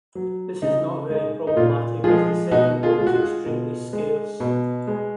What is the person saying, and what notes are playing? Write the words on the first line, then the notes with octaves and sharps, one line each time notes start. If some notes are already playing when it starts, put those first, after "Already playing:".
This is not very problematic as the second one is extremely scarce.
F#3
C#3 D#4
G#3 D#4
D#4
A#2 F4
F3 G#3 F4 G#4
B2 D#4 F#4
F4 G#4
G#3 F4
F#4
F4 G#4
B2
G#3
B2
G#3